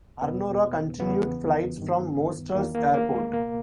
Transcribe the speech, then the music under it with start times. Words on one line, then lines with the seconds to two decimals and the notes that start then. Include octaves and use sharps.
Arnoro continued flights form Mostar's airport.
0.22 E2 B2 B3
1.00 E2 C#3 E3 B3
1.77 G2 D#3
2.55 E2 D#3 A#3
2.75 A#3
2.94 A#3
3.14 G#3
3.33 C#2 B2 A#3